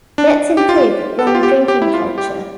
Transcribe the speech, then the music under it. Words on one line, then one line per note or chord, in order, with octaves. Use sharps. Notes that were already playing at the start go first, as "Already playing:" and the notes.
Let's improve wrong drinking culture!
D4
G4
F4
A4
G4
F4
G4
G4
E4
F4
G4